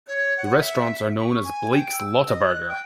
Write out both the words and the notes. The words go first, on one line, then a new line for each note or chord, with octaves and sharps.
The restaurants are known as Blake's Lotaburger.
C#5
F#5
E5
C#6
G#5
G5
E6
D#5
F#6
G5